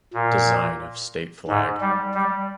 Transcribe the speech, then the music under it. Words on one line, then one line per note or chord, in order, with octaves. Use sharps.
Design of state flag.
A#2
G#2
G3
G3